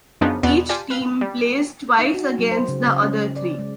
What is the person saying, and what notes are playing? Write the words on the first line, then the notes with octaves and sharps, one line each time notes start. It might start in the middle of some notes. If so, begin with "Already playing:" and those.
Each team plays twice against the other three.
F#2 C#3 F3 B3 D4 D#4
E2 B2 B3 D5 C6
F4 G4 D5 G#5 A5
B4 F5
G3
D#4
F#4
F#3
C5
C#3
C#3
C#4
D5
G#3